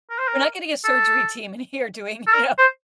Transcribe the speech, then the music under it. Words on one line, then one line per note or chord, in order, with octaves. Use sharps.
We're not getting a surgery team in here doing you know
A#4
C5
A#4
A4
A4
A#4
C5